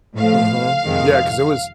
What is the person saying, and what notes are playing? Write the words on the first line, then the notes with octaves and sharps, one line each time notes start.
Mhm. Yeah, 'cause they was
A2 F3 A3 F5
F2 C3 D#3 G#3